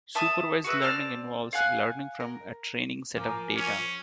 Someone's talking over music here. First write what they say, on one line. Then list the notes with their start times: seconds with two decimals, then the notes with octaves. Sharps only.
Supervised learning involves learning from a training set of data.
0.15 E5 A5 D#6
0.64 F#4 G#4 B4 E5
0.82 C4 D5 A5 F6
1.53 F5 F#5 G#5 F#6
2.20 A#4
3.17 F3 A#4 G#5 D6
3.57 C#4